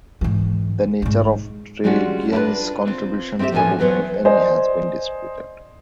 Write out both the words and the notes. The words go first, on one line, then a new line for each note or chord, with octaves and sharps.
The nature of Tregian's contribution to the book, if any, has been disputed.
G#2 E3
G#2 D#4
G3 G#3 C#4 D4 F4 F#4
D4 E4 F4 A#4 B4
C4 F4
C4 D#4 E4 G4 E5
E2 A2 E3 F3 C#4 G#5
E2 F#3 B3 C5 C#5
C5 D5 D#5 G#5